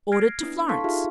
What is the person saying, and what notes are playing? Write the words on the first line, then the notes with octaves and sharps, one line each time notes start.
Ordered to Florence.
F6 G#6 A#6 C7 D7
B3 D4 E4
A4 F5 A5 C6 C#6 B6
D#4 F4 G4 G#4 E5 F5